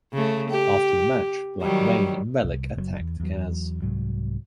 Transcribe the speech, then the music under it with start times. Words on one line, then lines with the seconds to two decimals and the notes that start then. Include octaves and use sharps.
After the match, Black Reign and Rellik attacked Kaz.
0.13 C#3 A3
0.50 G4
1.61 D#3 F#3 G3
2.43 C2
2.75 F#1 C3 F#3
3.00 E2
3.20 E2 F#3
3.82 C2 G#2 F#3